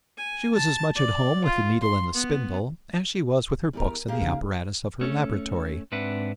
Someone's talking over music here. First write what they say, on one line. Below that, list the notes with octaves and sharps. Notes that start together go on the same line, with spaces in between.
She was as much at home with the needle and the spindle as she was with her books and the apparatus of her laboratory.
G#5
A5
D5
F4
C6
B3
E2 G4 A#4
A#3 G4 G#4 F5
C#3 D#4
A3 C#4
G#2 C4 D4 B4 E5 F#5